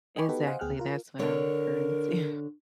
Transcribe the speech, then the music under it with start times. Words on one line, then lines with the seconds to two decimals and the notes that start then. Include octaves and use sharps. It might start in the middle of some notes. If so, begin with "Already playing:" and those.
exactly, that's what I'm referring to.
0.16 D#5 G5 G#5 B5 C#6 D6
0.29 B3 D#4 F#4 G4 A4 B4
0.46 C5 D#5 F5 F#5 G#5
0.59 D2 B3 G#4 G5 F6 F#6
0.79 F4 A#4
1.19 D3 A#4 C#5